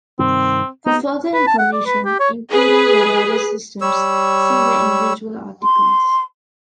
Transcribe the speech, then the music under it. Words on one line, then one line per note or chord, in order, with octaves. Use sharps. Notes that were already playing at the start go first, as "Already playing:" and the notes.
For further information, including the rarer systems, see the individual articles.
G2 C3 D#3 C4
B3 D#4
B4
A5
F#5
D5
B4
G4
C#5
G#4 B4
G3 C#5 E6
C6